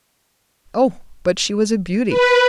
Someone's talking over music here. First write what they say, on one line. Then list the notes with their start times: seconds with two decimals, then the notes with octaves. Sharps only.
Oh! but she was a beauty!
2.10 B4